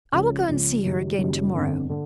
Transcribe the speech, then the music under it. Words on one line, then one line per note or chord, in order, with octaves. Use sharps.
I will go and see her again to-morrow.
C#2 C#3 F3
C#2 C#3 F3
F#1 F#2 D#3 G3
F#1 F#2 D#3 G3
G1 F2 D3
D3